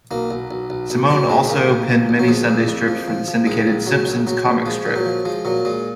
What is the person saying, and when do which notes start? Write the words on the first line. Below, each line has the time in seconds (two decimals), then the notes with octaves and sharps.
Simone also penned many Sunday strips for the syndicated "Simpsons" comic strip.
0.11 B1 A#3
0.31 B1
0.51 B1
0.70 B1
0.90 B1
1.10 A#1 F#3
1.29 G#2 G#3
1.49 A#1 A#3
1.70 A#1
1.89 A#1
2.09 A#1
2.19 F#3
2.29 F3 G#3
2.49 F2
2.68 F2
2.88 F3
3.08 F3
3.28 F3
3.47 A#1 G#3
3.67 A#1
3.87 F#3
4.07 A#1
4.27 F#3
4.46 A#1
4.66 F3 G#3
4.86 A#2
4.96 F#3
5.06 F3
5.25 F3 G#3
5.45 A#2 F#3
5.65 A#2 G#3